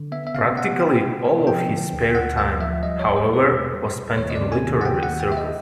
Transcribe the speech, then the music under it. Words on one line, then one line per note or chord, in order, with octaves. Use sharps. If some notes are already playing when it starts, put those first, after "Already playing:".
Practically all of his spare time, however, was spent in literary circles.
Already playing: D3
B3 E5
E5
C#3 F5
B3 F#5
C#3 G5
G#3
B3
F3 G5
D3
D2
D2 F#5
D2 F5
F3 E5
G3 D#5
C#5
E2
C5
B2
B4
E2
G3
B2
D#2 C#5
D#5
D5
C#3
G#5
D#2
F#5
D#2 G5
F#5
D#2
G5
C#3 E5
D#5